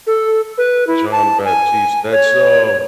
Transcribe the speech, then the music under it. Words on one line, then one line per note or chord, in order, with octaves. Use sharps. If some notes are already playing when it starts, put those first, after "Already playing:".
Jon Batiste, that's, um
A4
B4
E4
A5
G#5
C#5